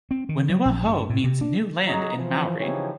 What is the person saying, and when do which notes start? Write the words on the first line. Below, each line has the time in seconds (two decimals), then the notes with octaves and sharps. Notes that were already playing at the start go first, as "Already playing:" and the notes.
Whenua Hou means "new land" in Maori.
0.11 C4
0.29 D#3
0.49 F#3
0.65 A#1
0.85 G2
1.10 A2
1.24 C3
1.41 D4
1.86 G1 F#3 G#4 D#5 A#5
2.16 E3 F3
2.58 C#3 E3 F3 D#4 G4 C#5